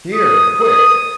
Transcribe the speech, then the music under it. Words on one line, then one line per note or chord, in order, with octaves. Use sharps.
"Here, quick!"
D#6
D#6